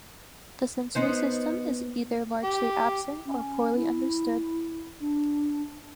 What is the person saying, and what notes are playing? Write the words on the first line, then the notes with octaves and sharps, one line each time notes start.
The sensory system is either largely absent or poorly understood.
B3 D#4 C5
G4
C#4
E4
D4